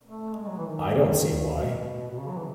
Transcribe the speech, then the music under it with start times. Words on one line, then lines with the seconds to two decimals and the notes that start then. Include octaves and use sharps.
I don't see why.
0.07 A3
0.36 G#3
0.48 F#3
0.57 E3
0.66 D#3
1.57 B2
2.10 B2
2.17 C#3
2.29 F#3
2.37 E3